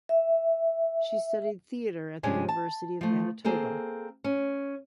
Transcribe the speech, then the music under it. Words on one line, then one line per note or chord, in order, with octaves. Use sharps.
She studied theatre at the University of Manitoba.
E5
G2 C3 G#3 C#4 D4 G#5
A5
F3 A3
A#3 C4 G#4 A4
C#4